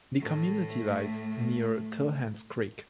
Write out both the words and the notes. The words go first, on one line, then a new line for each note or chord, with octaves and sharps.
The community lies near Tilhance Creek.
A2 A3